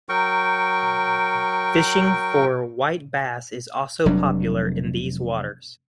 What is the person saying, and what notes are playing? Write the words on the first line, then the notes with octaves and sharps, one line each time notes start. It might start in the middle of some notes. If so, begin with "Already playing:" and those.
Fishing for white bass is also popular in these waters.
F#3 A#4 G5 C#6
F1 F#3 G3 D4